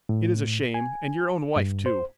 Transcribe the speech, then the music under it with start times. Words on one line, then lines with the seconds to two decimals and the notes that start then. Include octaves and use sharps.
It is a shame, and your own wife too.
0.09 A2
0.74 G#5
1.56 G2
1.86 C5